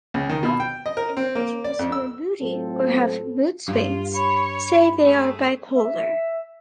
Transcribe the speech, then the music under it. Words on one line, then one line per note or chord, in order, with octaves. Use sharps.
Often individuals who are "moody" or have mood swings say they are bipolar.
C#2
D#3
B2
G5
D#5
A#4
C4
A#3
D5
F2
E6
A2 F#3 C4 F4 A4 C5
G2 F4
C#5 B5
A3 G#4
E5